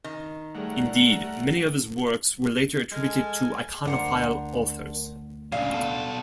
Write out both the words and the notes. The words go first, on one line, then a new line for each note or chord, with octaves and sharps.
Indeed, many of his works were later attributed to iconophile authors.
D#3
A2 G3 A3 G#4 A#4 F#5
G#3 A4 G#5 F6
D2 D4 A#4 C5 F#5 D6
A#2 C#3 D4 F5
B2 A4